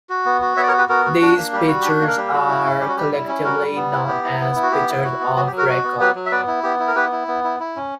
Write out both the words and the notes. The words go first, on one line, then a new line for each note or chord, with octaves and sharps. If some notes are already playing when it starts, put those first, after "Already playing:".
These pitchers are collectively known as the pitchers of record.
F#4
B3
F#4
B3 C#5 E5
D5
A#4 C#5
F#4
G4 B4
B3 F#4 A#4
F#4
D4
A#3
G3 G4
F#4
D4 G4
A#3
A#4
G3 G4
F#4
E4
C#4
G3 G4
F#4
G3 G4
E4
C#4
G3 F#4 A#4
G3
B3
E4
B3 G4
E4
B3
E4
F#4
B3 G4
E4
F#4
B3
F#3 F#4
G4
F#3
F#4 A#4
F#4
B3
F#3 G4 B4
F#3
E5
B3 B4 D5
E4
B3 G4
E4
A#4
B3 G4 B4
E4
B3
E4
E4
C#4